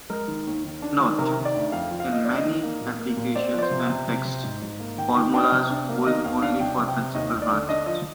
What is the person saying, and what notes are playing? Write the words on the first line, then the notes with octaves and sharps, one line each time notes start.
Note: In many applications and texts, formulas hold only for principal branches.
G#3 A#4
D#3
D#2
D#3
D4
D#3
C3 A#4
D#3
D5
D2
F2 F5
F3
F5
F3 D#5
D2 D5
D#5
D#3
A#3
A#2
A#3
A#2
C4 D5
F3 D5
C5
C3
C3
C3
C3
G#2
G#2
A#3
D#3 G5
D#3 G5
D4 G5
C3
D4
A#3
D#3 D#5
D#2 F5
D4 F5
C2 G5
C3
G5
C3
D#2 D#5
D#2
D5
D3
D4 D#5
F3 D#5